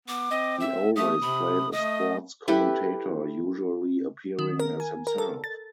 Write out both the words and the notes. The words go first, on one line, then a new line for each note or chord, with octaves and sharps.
He always played a sports commentator, usually appearing as himself.
B3 D6
C4 D#5
E5
A3 G4 D#6
C3 B5
A3 D#5 D#6
E4 G4 A4 B4
D#3
A#4
G#5
A#4
A4
A6